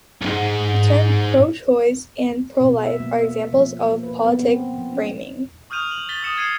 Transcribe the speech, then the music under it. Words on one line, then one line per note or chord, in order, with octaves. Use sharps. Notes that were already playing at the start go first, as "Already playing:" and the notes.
The terms "pro-choice" and "pro-life" are examples of political framing.
B1 G#2
B2
E5
A#3
E5
F3
A#3
B4
B3
C4
F3
C#4
C#6 D#6 F6 G6 D#7 F7
F#7
A6 B6 G7
D#6 E6 C#7 E7
D#6 E6 G#6 C7 D#7